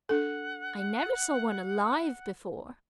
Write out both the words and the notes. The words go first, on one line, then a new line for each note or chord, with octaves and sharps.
I never saw one alive before!'
D4 A4 F#5